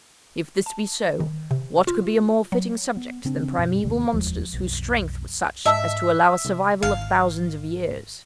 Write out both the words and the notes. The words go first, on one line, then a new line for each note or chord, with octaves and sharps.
If this be so, what could be a more fitting subject than primeval monsters whose strength was such as to allow a survival of thousands of years?
A5
D#3
C3
F4
F#3
B3
C#3 C4 D4
F#2 B2
D#2 C3 D#3 A3
F1 D#2 F3 G#3
B1 F2
G#2 D#5 E5 A5 E6
C2
G#1 F5